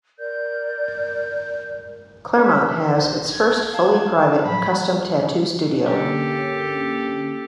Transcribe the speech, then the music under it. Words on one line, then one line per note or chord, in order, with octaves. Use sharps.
Claremont has its first fully private custom tattoo studio.
A#4 D5 G6
E5
A#1 C5
G#6
F5 A5
A2 F3 F#3 B5
D3 A#3 C#4 G4 A4